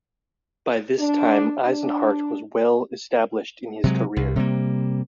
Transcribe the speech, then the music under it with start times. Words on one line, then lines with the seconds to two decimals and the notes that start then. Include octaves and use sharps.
By this time Eisenhart was well established in his career.
0.98 D4
1.66 D4
3.84 C3 F#3 G#3
4.16 C2
4.36 C3 G3 A#3